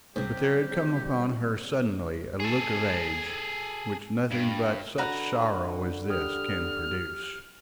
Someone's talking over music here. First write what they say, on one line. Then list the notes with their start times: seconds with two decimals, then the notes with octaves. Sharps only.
But there had come upon her suddenly a look of age, which nothing but such sorrow as this can produce.
0.16 C2 G#2 C3 F#3 G3 G4
2.40 G#4 A4
4.31 G2
4.98 D3 F#4 B4 A#5
6.10 G4 D#6 F6